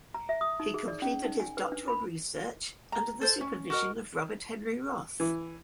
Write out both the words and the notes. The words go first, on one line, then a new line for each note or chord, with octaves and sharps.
He completed his doctoral research under the supervision of Robert Henry Roth.
A#5
E5
D#6
D#4
G#4
D5
C#4
D#4
G#5
B4
D4
B5
A#5
A4 C5
C#4
F#4 A#4 D#5
E3